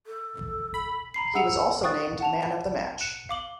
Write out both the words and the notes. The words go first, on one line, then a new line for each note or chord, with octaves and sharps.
He was also named man of the match.
A4
B5
A#5 B5 C7
G#4 E5 F#5 E6 C#7 F7
F5 G5 C#6 D#6 F#6 A6
F#5 A5 F7
F#6 C#7 E7
F5 D6 F#7 G7